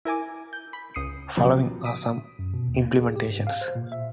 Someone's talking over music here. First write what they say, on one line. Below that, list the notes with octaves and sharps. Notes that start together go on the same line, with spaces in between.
Following are some implementations.
E4 A#4 G#5 D6
G6
B5
C#2 D#6 C7 C#7
A#2 C#3 F3 F#3 B3 G4
D#6 B6 D7 D#7
F#2
B2
D#2
A#3
G#4
G4
G#2
F5
C5
A#2
E5